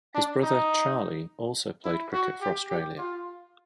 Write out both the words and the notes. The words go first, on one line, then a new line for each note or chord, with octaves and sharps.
His brother, Charlie, also played cricket for Australia.
D4
D#4
E4
F#4
G4
G4
F4